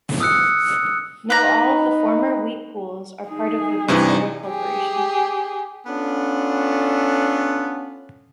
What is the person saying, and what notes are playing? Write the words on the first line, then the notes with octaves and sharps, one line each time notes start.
Now all the former wheat pools are part of the Viterra corporation.
D#6 E6 F#6 C#7
D#4 B4 A#5
D#4 G#4
G2 C3 E3
G4 G#4
B3 C#4 D4 F4 A4